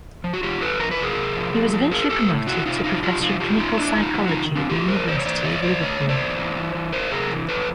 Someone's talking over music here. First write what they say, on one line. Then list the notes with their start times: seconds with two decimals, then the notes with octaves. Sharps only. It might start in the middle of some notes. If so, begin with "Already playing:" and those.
He was eventually promoted to Professor of Clinical Psychology at the University of Liverpool.
0.24 F3
0.33 F#4
0.43 F3 F4 G4
0.61 F2 A4 B4
0.80 F3 A#4
0.91 B4
0.99 C3 G#4 A#4
1.17 C3
1.36 F3
1.54 F3
1.73 F3
1.91 A3 G#4 A#4
2.10 A3 G4 A4
2.28 A2
2.47 C3 E4 F#4
2.66 C3 D#4 F4
2.84 C3 D#4 F4
3.02 C3 F4 G4
3.21 F3 D#4 F4
3.40 C3 F4 G4
3.58 G#2 D#4 F4
3.77 A#3 D4 E4
3.96 D#3 D#4 F4
4.14 F#3 E4 F#4
4.28 D#3 D#4 F4
4.52 D#3 C4 D4
4.70 A3 F4 G4
4.88 G2 A#4 C5
5.07 E3 C5 D5
5.19 C#5
5.26 E3 C5 D5
5.44 G2 C#5 D#5
5.62 G2 C5 D5
5.81 A3 C#5 D#5
6.01 A3
6.09 C5 D5
6.19 E2
6.38 E3
6.55 E3
6.75 E3
6.92 A3 A#4 C5
7.11 C3 G#4 A#4
7.30 E3
7.48 F2 A4 B4